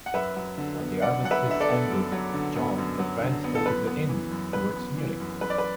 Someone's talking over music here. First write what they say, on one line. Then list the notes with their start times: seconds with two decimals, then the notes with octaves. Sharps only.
When the armistice ended, John advanced over the Inn towards Munich.
0.06 F#5
0.14 F#2 B4 E5
0.36 F#3
0.58 D3
0.80 B3
1.02 F#2 D5 F#5
1.23 F#3 F#5
1.31 B4 E5
1.47 D3 E5
1.60 A4 D5
1.68 B3
1.90 F#2
2.12 F#3
2.33 D3
2.56 B3
2.78 F#2
2.99 F#3
3.22 D3
3.44 B3
3.55 A4
3.66 F#2 B4
3.87 B3
4.09 E3
4.31 F#2
4.53 F#2 B4
4.76 B3
4.97 E3
5.20 F#2
5.41 F#2 B4
5.50 D5
5.58 B4